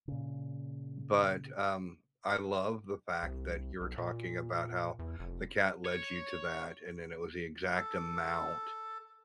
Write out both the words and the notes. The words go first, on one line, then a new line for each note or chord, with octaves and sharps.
but, um, I love the fact that you're talking about how the cat led you to that, and then it was the exact amount
A#2 C#3
C2
B1
A#2
E2
F1
C#5
A4